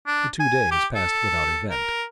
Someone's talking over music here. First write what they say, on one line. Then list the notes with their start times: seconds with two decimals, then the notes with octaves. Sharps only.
The two days passed without event.
0.07 D4
0.40 G#5
0.71 G4
0.95 A4
1.71 A#4